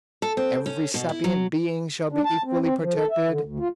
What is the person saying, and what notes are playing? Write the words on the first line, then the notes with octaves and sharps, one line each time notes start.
Every sapient being shall be equally protected....
A4
C4
C#4
B2
E4
F#3
D4
A5
C4
C4
F3
A4
E5
D3
D2
F4